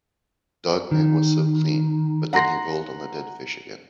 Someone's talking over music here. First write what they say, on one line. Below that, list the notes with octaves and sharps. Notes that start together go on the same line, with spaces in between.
Dog Man was so clean, but then he rolled on the dead fish again.
D#3
F#5 A#5 C6 A#6